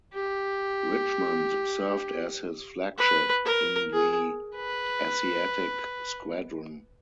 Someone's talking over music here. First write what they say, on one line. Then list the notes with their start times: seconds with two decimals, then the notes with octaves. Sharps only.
"Richmond" served as his flagship in the Asiatic Squadron.
0.14 G4
2.98 B4
3.45 A#4
3.93 G#4
4.56 B4